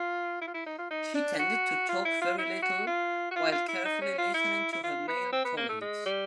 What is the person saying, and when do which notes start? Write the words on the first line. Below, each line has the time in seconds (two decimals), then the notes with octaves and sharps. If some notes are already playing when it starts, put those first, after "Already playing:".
She tended to talk very little while carefully listening to her male colleagues.
Already playing: F4
0.42 E4
0.47 F4
0.54 E4
0.66 D#4
0.78 F4
0.91 D#4
1.15 D4
1.39 F#4
1.89 F4
2.05 E4
2.21 F4
2.38 E4
2.62 F#4
2.87 F4
3.31 F#4
3.36 F4
3.52 F4
3.68 E4
3.85 D#4
4.02 C#4
4.18 F4
4.34 E4
4.73 E4
4.84 F4
5.08 B3
5.33 C4
5.45 B3
5.57 A#3
5.69 A3
5.82 G#3
6.06 G3